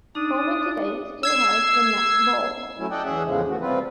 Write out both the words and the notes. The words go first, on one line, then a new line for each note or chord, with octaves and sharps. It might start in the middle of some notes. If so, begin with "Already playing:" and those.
Coleman today still has the match ball.
D4 D#4 D#6
E6 G#6 C7
F#3 A3 C#4 E4
A4 D5 D#5 F#5 G5
E2 C#4 G#4 E5 F#5
E2 A2 C#3 F3 G#3
A3 B3 F#4
C3 G3 C4 F4 B4